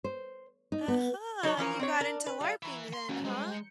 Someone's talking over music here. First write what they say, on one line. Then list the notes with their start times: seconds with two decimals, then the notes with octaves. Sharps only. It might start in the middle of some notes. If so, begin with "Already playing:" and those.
Uh-huh. You got into LARPing then, huh?
0.04 C5
0.72 D#4
0.88 B3
1.43 F#3 D#4 A#4 C#5
1.57 E3 F3 C#4 A#4
1.79 C4 D4 C#5
2.01 D4 A#4
2.26 B4
2.41 G3 F5
2.63 E3 E4 A#5 C#6
2.93 C6
3.09 D#2 G#2 C#4 F#4
3.25 G3 G#3 C5 A#5
3.51 G6 C#7